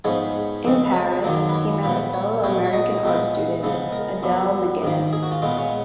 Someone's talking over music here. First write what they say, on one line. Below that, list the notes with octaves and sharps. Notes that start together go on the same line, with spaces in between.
In Paris, he met a fellow American art student, Adele McGinnis.
G#2 F3 G#3 B3 C#5
F2 C#3 G#3
B4
C#5
F#2 D#3 F#3 A#3
B4
C#5
A#2 F3 B3 B4
C#5
A#2 G#3 B3 C#5
C#5
D#5
A#2 G#3 B3
C#3 F3 G#3 B3
A#4
F#2 F3 B3
G#2 D#3 A#3
G#4
F#4
F4
A#2 G#3 B3 F4
C#4